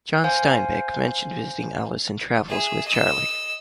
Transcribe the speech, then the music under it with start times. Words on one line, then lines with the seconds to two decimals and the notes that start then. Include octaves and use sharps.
John Steinbeck mentioned visiting Alice in Travels with Charley.
0.24 C5 F5 G#5
2.48 G#4 E5
2.87 D#5 E6